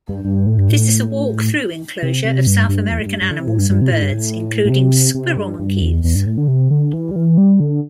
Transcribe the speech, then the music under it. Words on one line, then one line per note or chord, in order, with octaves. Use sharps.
This is a walk-through enclosure of South American animals and birds including squirrel monkeys.
G2
G2
A2
G2
A2
C3
C3
G2
G2
E2
A2
G2
G2
D3
C3
A2
G2
G2
C3
A2
G2
A2
A2
C3
C3
G2
G2
E2
E2
G2
A2
D3
C3
D3
E3
G3
E3
G3
D3